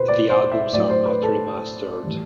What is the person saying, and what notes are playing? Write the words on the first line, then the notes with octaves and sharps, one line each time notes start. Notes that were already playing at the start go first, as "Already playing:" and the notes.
The albums are not remastered.
Already playing: B2 B4 C5
D5
C5
E5
A2 F#3 D5
C5
B4
A4
A2 E3 G3